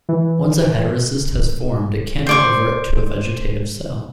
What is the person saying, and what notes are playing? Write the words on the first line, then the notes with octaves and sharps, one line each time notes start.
Once a heterocyst has formed it cannot revert to a vegetative cell.
E3
C5 D5 C#6